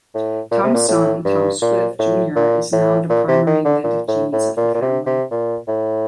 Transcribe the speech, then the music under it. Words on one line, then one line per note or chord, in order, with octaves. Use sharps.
Tom's son, Tom Swift, Junior is now the primary inventive genius of the family.
A2
A#2
C3
A#2
A2
G2
A#2
A2
A#2
A2
A#2
C3
D#3
D3
A#2
A2
A2
A#2
A#2
C3
C3
A#2
A2